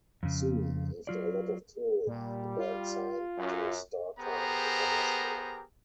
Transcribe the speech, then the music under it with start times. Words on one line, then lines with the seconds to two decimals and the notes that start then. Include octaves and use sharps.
Soon, after a lot of touring, the band signed to Startime International.
0.23 F2 C#3
1.07 F#3 F4 D5
2.07 A#2 G3
2.58 F4
3.37 F#2
4.19 B3 G4 G#4 A#4 C5 A#5